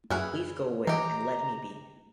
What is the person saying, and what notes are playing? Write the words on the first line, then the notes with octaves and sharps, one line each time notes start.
Please go away and let me be!
F#2 E4 F#4 G#4 B4 F6
E3 D#4 G4 A#5